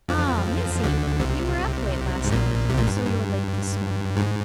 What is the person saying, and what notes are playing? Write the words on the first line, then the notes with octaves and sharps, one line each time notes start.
'Ah, Missy! you were up late last night, and so you're late this morning.
F2 F3
D2 D3
C2 C3
G#2
A#1 A#2
C2 C3
A#1 A#2
G2
G#2
G2
G#2